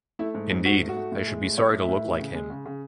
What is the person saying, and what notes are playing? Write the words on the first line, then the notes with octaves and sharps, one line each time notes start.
Indeed, I should be sorry to look like him.
A3 E4
G#2
G#2
G#2 F#4
A3
F#4
A3
A2
G#3
A2
A2 C#5
A2
E5
A2
E3
C#3
G#3
C#3
C#3